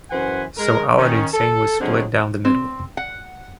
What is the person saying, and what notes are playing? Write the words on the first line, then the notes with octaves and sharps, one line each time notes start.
So "Aladdin Sane" was split down the middle.
F#2 E3 B4 C5 F#5 G#5
G#3 A#4
D#3 C#4
A4
D3 F#3 G#3 C4 C#4
C4
F#5